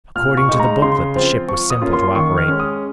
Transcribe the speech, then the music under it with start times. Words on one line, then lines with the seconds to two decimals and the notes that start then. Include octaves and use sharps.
According to the booklet, the ship was simple to operate.
0.16 A#2 F6
0.37 C#6
0.49 G#3 D#4
0.60 A#5
0.82 C#3 C6
1.16 F3 C4 F4
1.48 F3 C#6
1.70 D#6
1.82 A#3 C#4 F4
1.93 C6
2.15 D#3 C#6
2.38 F6
2.48 G#3 C#4
2.60 D#6